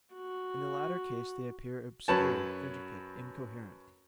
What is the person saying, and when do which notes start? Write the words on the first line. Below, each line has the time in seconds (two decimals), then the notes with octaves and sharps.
In the latter case they appear obscure, intricate, incoherent.
0.14 F#4
2.08 F#2 F#3 B4 C#5 A5